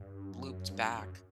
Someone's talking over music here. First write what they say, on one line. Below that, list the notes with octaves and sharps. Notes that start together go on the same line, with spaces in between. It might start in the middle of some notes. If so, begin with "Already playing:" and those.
looped back,
Already playing: G2
F#2
G2
F#2
F#2